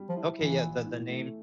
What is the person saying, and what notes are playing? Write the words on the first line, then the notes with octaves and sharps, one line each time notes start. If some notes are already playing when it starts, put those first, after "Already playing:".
Okay, yeah, the the name
Already playing: G3
F3
E4
A#1 E3
F3
A2
A3